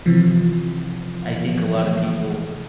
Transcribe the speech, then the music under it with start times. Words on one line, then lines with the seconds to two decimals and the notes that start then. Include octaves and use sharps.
I think a lot of people
0.06 C3 E3 F3